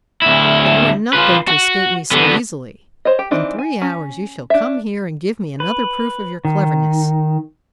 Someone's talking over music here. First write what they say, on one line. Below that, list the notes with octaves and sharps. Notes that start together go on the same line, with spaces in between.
But you are not going to escape me so easily. In three hours you shall come here and give me another proof of your cleverness.
D2 E4
F4 B4
F#4
D3 B3
C5 C#5 D#5
G4
E3 C4 D4 D#4
G#5
C#4
D4 E5
B4
D#3